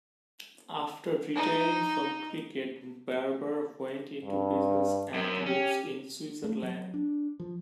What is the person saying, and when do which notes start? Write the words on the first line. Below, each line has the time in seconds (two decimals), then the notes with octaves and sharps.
After retiring from cricket, Barber went into business and lives in Switzerland.
1.35 D#4
4.24 G2
5.14 F#2
5.46 C#4 G4
6.44 A3
6.63 F#3
6.94 D4
7.40 F3